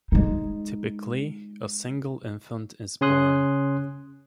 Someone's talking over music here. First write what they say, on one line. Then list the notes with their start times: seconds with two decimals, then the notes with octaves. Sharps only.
Typically, a single infant is born.
0.12 G#3 D#4
3.01 C#3 C#4 G#5 C6 D#6 F#6